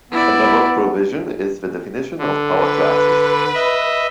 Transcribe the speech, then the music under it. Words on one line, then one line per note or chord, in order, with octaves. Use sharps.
Another provision is the definition of power classes.
B3 E4 D5
D3
B4
D#5 E5